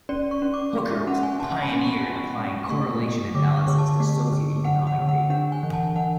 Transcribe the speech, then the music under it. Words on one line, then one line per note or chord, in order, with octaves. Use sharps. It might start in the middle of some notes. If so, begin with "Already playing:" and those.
Hooker was a pioneer in applying correlation analysis to socio-economic data.
C#4 D5
C#6
C#4
D6
G#3
E5
C#4 F#5
G#5
C#4 A5
B5
C#4
C#6
C#4
G#3
A3 C#6
A3
D3 D6
C#6
D3
A5
A3
D3
D3 F#5
F#5
D3
F#5
D4 F#5
G#5
E3
A5
E3 F#5